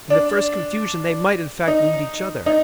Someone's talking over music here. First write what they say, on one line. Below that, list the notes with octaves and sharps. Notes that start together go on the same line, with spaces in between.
In the first confusion, they might, in fact, wound each other.
D4
D#4
D#4